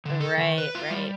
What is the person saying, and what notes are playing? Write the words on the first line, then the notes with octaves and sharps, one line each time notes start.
Right, right.
D3
A4
D#3
B4
F4
G3